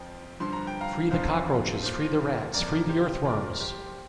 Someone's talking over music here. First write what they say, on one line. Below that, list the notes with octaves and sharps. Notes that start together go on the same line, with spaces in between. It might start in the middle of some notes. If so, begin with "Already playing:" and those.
Free the cockroaches, free the rats, free the earthworms!
Already playing: F2 F3 G5
G2 D3 F3 C6
A#5
G5
F5 A#5
F2 D3 F3 C5 F5
A#2 F3
F2 F3 A#4 D5
G4 C5
A#2 F3 A#4 D5
G4 C5